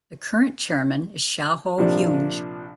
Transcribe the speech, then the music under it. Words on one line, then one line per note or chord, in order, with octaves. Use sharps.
The current Chairman is Shao Hauje.
A#1 C3 F3 D4 D5